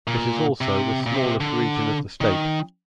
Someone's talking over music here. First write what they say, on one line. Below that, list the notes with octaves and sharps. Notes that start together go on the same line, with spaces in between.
It is also the smallest region of the state.
A#2
C3
A#2
C3
D3
D#3